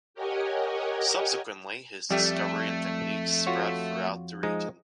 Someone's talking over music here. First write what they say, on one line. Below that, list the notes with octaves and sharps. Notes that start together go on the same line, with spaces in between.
Subsequently, his discovery and techniques spread throughout the region.
G4 A#4 C#5 D#5 F#5 G#5
F2 G3 A3 G4 E5
F4 F#4 C#5
F3 G#3 D#4